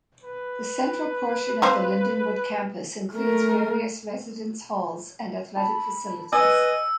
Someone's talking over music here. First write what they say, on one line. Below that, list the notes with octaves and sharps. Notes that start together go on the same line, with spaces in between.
The central portion of the Lindenwood campus includes various residence halls and athletic facilities.
B4
F3 C4 C5
A3 A#4
A5 B5
B4 D#5 G#5 E6